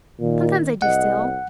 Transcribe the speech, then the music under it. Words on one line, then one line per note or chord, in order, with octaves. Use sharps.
"Sometimes I do still."
A#2 D#3
C2 D#5 F#5